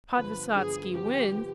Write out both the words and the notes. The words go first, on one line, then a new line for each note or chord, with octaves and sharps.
Podvysotsky wins.
G2 D3 F3 B3 B4
G2 D3 F3 B3 G#4
G2 D3 F3 B3 G4
D3 F3 B3